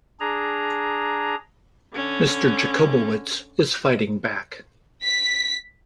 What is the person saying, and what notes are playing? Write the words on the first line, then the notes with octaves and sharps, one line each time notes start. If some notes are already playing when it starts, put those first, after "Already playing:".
Mr. Jacobowitz is fighting back.
D4 G#4 A#5
D3 C#4
B6